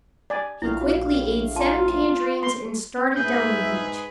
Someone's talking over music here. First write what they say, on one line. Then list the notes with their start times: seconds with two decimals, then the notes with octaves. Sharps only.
He quickly ate seven tangerines and started down the beach.
0.30 D5 G#5
0.62 A#1 A2 E4 F5
0.81 F#4
1.56 F4 A5 A#5
2.43 C6
3.16 G#2 G#4 B4 E5 G6